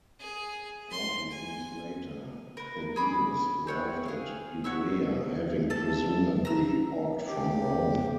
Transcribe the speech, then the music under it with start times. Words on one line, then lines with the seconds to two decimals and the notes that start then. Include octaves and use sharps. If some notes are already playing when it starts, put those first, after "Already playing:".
Fourteen weeks later, Thaddeus arrived at Ivrea having presumably walked from Rome.
0.20 G#4
0.90 C6
1.30 G#5
2.57 A#4 B4
2.96 G#4 B5 D6
3.67 C4 C#5 F#5
4.05 G#4 F5
4.64 F#4 C#5 E5 E6
5.70 A4 A5
6.45 A#5 E6
7.28 G4